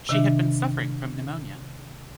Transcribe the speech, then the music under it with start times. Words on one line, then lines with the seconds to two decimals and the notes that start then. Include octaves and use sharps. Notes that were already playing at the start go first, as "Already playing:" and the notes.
She had been suffering from pneumonia.
0.09 C3 D#3 D4 E5